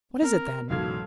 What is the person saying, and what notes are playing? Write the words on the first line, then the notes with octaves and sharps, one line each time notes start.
"What is it then?"
C4 A#4
E1 C#2 G#2 F#3 B3 A4 F5 G#6